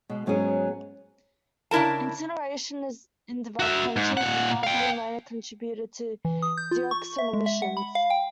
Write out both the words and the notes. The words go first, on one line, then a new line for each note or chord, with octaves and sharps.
Incineration in developed countries is now a very minor contributor to dioxin emissions.
B2 G#3
G#2 F#3 B3 C#4 G#4
C#3 D4 E4 A#4 A5
F#4 E5
G#2
A#2 F#5
F5 G5
E3
D#6
G6
F4
C#6
E5
G#3
E5
F#5
B5
F5
G5